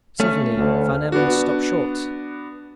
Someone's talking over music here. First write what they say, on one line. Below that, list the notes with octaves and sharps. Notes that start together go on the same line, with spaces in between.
Suddenly Van Emmon stopped short.
A3 C#4 F5
D2
B3 D4 F#4